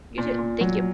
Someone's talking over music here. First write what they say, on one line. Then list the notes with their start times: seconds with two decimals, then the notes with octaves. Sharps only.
You too. Thank you
0.18 A#2
0.39 A#2
0.61 F#3